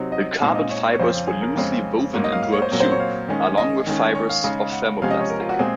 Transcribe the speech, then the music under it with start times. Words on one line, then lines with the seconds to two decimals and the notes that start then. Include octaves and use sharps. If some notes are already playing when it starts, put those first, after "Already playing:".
The carbon fibers were loosely woven into a tube along with fibers of thermoplastic.
Already playing: C3 F#3 C4 D#4
0.12 D#5
0.41 A#2 G#3 C4 D#4 F5
0.55 D#5
0.70 C#5
0.93 C#5
1.00 F2 C#3 F3 C5
1.27 G#4
1.42 A#4
1.56 F2 C#3 G#3 C4
2.13 G#2 F#3 A#3 C#5
2.24 D#5
2.32 F5
2.42 F5
2.52 C#5
2.62 C5
2.72 A#2 F#3 C4 A#4
2.80 C5
2.91 C#5
3.00 F5
3.28 D#3 G#3 C#4
3.58 D#5
3.87 D#3 G#3 C#4
4.15 C#5
4.29 F5
4.44 C#3 G#3 D#4
4.72 F#5
5.02 C3 F3 G#3 C#4 F5
5.11 D#5
5.21 C#5
5.30 A#4
5.40 F4
5.49 F#4
5.59 A#2 G#3 C4 G#4